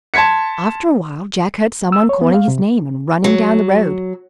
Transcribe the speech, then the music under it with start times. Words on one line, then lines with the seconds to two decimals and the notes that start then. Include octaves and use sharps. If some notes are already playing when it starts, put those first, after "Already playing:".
After a while Jack heard some one calling his name and running down the road.
0.14 A5 C6 G#6 B6 C#7
1.92 E6
2.09 C#5
2.21 B3
2.34 F5
2.48 C3
3.24 F#3